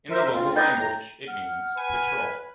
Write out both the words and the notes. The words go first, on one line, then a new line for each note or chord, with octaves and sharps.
In the local language it means "patrol".
A#4 C5 E5
D2 C4 F4
D#4 B4 D#5 G5 G6 A6
A2 A#5
F#5 F6
B4 G#5